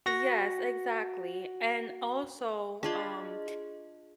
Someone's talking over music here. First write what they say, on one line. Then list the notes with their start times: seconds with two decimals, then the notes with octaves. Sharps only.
Yes, exactly. And also, um,
0.06 F#4 F#5 A#6
2.83 D4 F4 G#4 D#5 C6